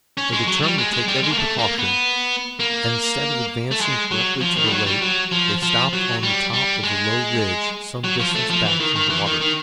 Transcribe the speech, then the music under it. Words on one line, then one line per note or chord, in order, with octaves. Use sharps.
They determined to take every precaution, and instead of advancing directly to the lake they stopped on the top of a low ridge some distance back from the water.
C#4
G#3
F#3
G3
G#3
G#3
G3
G#3
A#3
A3
A#3
B3
A#3
A3
G#3
F#3
F3
D#3
G3
F#3
G3
F#3
F3
F3
F#3
G3
G3
G#3
F#3
F3
A3
F3
E3
D#3
D#3
E3
D#3
D#3